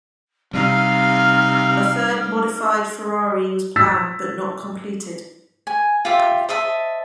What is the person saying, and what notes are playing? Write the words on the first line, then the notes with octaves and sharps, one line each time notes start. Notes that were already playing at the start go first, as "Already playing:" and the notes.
A third modified Ferrari was planned but not completed.
C3 G3 D#4 F5 F6
E6 A6 B6
G#5
F4 G4 E5
C5 D#5 E5 A5